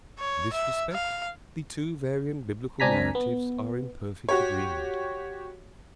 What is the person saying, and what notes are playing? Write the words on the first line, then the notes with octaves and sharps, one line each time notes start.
In this respect the two variant Biblical narratives are in perfect agreement.
C#5
E5
F5
C#2 C4 D4 G#5 A#5 B6
B3
F#4 G4 C#5